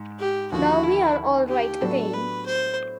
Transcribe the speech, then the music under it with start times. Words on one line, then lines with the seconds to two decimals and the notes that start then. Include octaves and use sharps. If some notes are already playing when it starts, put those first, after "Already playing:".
Now we're all right again.
Already playing: G#2
0.19 G4
0.52 D#2 D3 F3 F#4
0.84 E4
1.49 G4
1.81 A2 F#3 B3 D4 A4
2.14 B4
2.46 C5